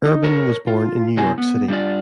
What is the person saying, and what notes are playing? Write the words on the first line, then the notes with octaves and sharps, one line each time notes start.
Erben was born in New York City.
D#4
A4 A#4 C#5
F4
C3 F#3 B3 E4 C5 G#5
B3
G3 D4 F4 D5